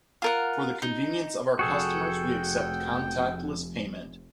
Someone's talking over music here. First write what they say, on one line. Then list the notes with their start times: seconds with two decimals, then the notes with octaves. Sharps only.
For the convenience of our customers we accept contactless payment.
0.22 F4 A#4 F#5
0.82 D#4
1.59 F1 F#4 G#4 A4 G5